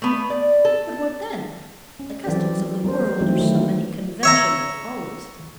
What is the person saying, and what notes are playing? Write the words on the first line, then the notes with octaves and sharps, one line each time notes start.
But what then? The customs of the world are so many conventional follies.
A3 B3
D5
A4
C#4
E3 F#3 C4 A4 D5
G3 C4 A#4 C5
E3 F#3 G3 A3 C4 D#4
D#3 F#3 A3 E4
C#5 E5 A#5